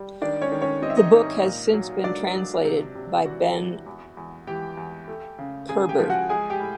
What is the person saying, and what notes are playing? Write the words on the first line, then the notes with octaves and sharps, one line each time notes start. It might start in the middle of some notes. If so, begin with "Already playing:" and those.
The book since been translated by Ben Koerber.
Already playing: G3
D#3 D4 D5
C#4 C#5
D#3
C#4 C#5
C4 D#5
E5
D#4 D#5
G#2
A#2
F#3
F#3 D4 D5
F#3
C3
C3
E3 F#4 F#5
E3
E2
E2
E3 G4 G5
E2
A3
C#3
C#3 G#4 G#5
G4 G5
F3
F#4 F#5
G#3 G#4 G#5
G4 G5
A2